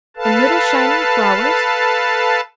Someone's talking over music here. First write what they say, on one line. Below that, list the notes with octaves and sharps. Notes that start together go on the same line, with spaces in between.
"And little shining flowers?"
A4 B4 F5 A5